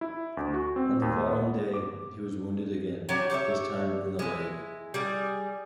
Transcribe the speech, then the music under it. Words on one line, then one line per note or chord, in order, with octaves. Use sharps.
On the following day, he was wounded again, this time in the leg.
E4
D2
F#4
C4
D#2
B3
D6
F#3 D4 G4 C#5
G4 C#5 D5 E5
G#3 E4
G3 G#4